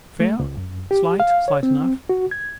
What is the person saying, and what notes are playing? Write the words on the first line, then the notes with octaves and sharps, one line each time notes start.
Fair. Slight--slight enough.
A3
C#2
F#2
G4
F5
C#5
C4
F#4
G#6